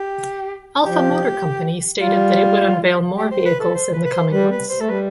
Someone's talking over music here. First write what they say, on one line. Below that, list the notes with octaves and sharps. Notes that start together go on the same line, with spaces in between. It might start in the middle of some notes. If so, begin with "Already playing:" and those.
Alpha Motor Company stated that it would unveil more vehicles in the coming months.
Already playing: G4
F3 G4
G3 F4
G4
C5
B4
A4
C5
B4
B4
C5
G3 B4
B4
C5
A3 A4
G3 B4